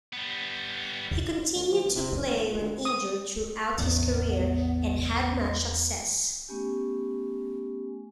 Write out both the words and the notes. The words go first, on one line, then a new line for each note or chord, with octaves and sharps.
He continued to play when injured throughout his career and had much success.
G3 B3
D2
F3
G1
C3
F1
E1
A#2
D2
D#6
A1 E2 B3
A3 B3 C#4 G4 G#5